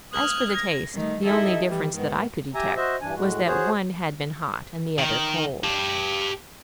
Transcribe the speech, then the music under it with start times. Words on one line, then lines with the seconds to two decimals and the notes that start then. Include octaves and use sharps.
As for the taste, the only difference that I could detect was that one had been hot and the other cold.
0.12 D#6 F6 F#6 G#6
0.52 G#6 A#6
0.93 D#3 G3 A3 D#4
1.24 D#4 E4 G4 A4 D#5 E5
1.67 E3 G3
1.96 G#2 D#3 B3
2.55 G4 E5 G#5 A#5
2.76 F#4 C5 D#5 E5
3.01 G2 E3 D4 G#5
3.15 A2 G#3 F#4
3.46 F#4 G#4 C5 C#5
4.98 D#3
5.64 G4 A5